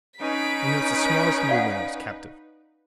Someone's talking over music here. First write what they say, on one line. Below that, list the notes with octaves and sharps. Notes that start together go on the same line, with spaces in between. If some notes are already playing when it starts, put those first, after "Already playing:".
He notes the smallest movement of his captive.
C#4 D#4 B4 B6 D7
D5 F5 F#5